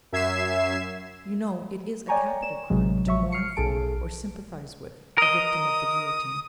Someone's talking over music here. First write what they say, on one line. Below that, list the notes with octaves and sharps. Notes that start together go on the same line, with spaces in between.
You know it is a capital crime, to mourn for, or sympathise with, a victim of the Guillotine.
F#2 E5 G#6 C7 E7
C#5 D5 G5 G#5 A#5 C#6
E7
A1 C3 E3 F#3 G#3
A1 F#3 E5 C#6
F6 C7 C#7
B1 G#4 A4 A5 D7
A#4 D#5 D#6